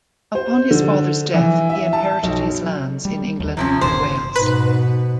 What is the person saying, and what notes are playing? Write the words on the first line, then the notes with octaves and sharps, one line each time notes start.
Upon his father's death, he inherited his lands in England and Wales.
C5
D3
E3
E5
A5
B1
G3
D#2
C3 F3 C#4
F#1 A#2 D#3 C5
G#2 B2 B4